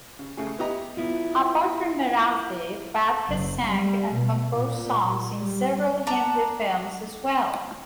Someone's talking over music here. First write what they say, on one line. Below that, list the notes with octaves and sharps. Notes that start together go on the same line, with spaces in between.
Apart from Marathi, Phadke sang and composed songs in several Hindi films as well.
C#3
C#3 A3 G#4
B3 E4 G4 D#5 A#5
B3 E4 F4
F#1
G3
B2
A#2
G3
D4 A5 A#5